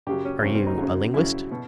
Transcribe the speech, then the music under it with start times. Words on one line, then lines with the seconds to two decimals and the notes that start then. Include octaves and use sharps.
"Are you a linguist?"
0.07 F#2 C#3 F#3 G4
0.25 C#4
0.42 F#2 C#3 F#3 C4
0.55 C4
0.67 D#4
0.78 F#2 C#3 F#3
1.14 F#2 C#3 F#3 E4
1.52 B2